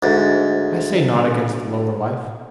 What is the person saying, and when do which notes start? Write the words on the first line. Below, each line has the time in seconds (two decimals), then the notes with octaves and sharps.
I say naught against the lower life.
0.03 D2 G#2